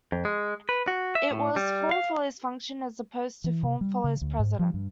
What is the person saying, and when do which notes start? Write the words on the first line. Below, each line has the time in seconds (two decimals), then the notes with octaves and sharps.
It was "form follows function", as opposed to "form follows precedent".
0.12 F2
0.25 G#3
0.69 B4
0.88 F#4
1.15 E5
1.31 A2
1.56 G3
1.91 F5
3.44 E3
3.63 C3
3.81 G3
4.04 C#3
4.21 D2
4.39 G#2
4.59 F3
4.74 G2